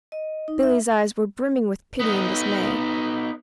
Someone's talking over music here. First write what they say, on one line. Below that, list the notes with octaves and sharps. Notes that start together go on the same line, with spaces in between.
Billy's eyes were brimming with pity and dismay.
D#5
D#4
E5
B3 D#4